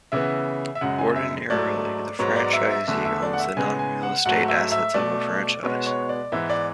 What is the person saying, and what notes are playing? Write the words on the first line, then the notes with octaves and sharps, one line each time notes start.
Ordinarily, the franchisee owns the non-real estate assets of a franchise.
C#3 E3 B3 E5
E5
F#2 C#3 G#3 F#5
G#5
E5
G#2 F#3 A3 D5
G#2 F#3 B3 C#5
D5
E5
E5
E2 D3 A3 E5
E5
D5
F#5
E5
C#3 G#3 B3 G#5
G#5
F#5
G#2 F#3 A3 F#5
E5
E5
B2 A3 D5
B2 G#3 B3 C#5
C#5
D5
G#2 E3 B3 E5
D5